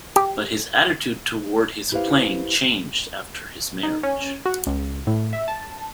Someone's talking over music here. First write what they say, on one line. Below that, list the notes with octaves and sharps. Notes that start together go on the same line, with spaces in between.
But his attitude toward his playing changed after his marriage.
G4
E4 G4 B4 C5 F5
D#4
C#4
F#4
C#2
A2
E5
A5